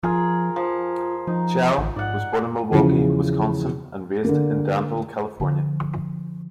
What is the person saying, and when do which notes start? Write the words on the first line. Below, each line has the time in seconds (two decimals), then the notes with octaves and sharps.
Chiao was born in Milwaukee, Wisconsin and raised in Danville, California.
0.03 F3 F4 G#4 A#4
0.56 F3 F4
1.27 F3 D#4
1.78 A1
1.96 G#2 D5 F#5
2.71 E2 C#3 E3 F3
4.25 D3 A#3
5.40 D3 F3